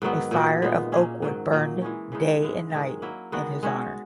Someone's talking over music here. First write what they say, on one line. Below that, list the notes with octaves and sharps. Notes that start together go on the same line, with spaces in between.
A fire of oak wood burned day and night in his honor.
G#2 D#3 F#3 B3
A#2 F#3 B3 F#4
A#2 G#3 B3
A#2 A#3 C#4 G#4
G#2 D#3 F#3
A#2 F#3 A#3 D#4
E3 G#3 C#4
C#3 E3 G#3 D#4
G#2 E3 G#3
G#2 D#3 G#3 C#4
F#3 A#3 E4
D#3 G#3 B3 F#4
G#3 C#4 F#4